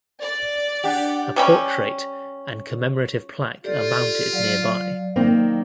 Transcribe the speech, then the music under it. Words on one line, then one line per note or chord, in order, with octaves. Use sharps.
A portrait and commemorative plaque are mounted nearby.
D5
D4 G4 F#5
C3 G3 C#4
F4 G4 A4 D5
F#3 D5 F5
D#3 A#3 C4